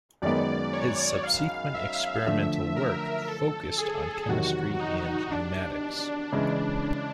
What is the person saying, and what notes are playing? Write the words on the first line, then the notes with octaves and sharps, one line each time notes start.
His subsequent experimental work focused on chemistry and pneumatics.
F#2 D#3 G#3 B3 D5
C#5
F5
E5
D3 F3 A3 D4 E5
A#4
A4
G#4
E2 C3 D#3 F#3 F#4
D#4
D4
C#3 E3 G#3